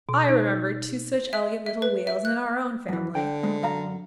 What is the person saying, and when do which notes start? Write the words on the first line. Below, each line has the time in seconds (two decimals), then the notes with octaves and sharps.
I remember two such elegant little wheels in our own family.
0.09 B2
0.29 D#4
1.33 E5
1.66 E5
1.82 B4
2.07 E5
2.25 F#6
2.89 F#2 E3
3.15 D3 G5
3.43 D2 G#3
3.63 F#2 F5 A#5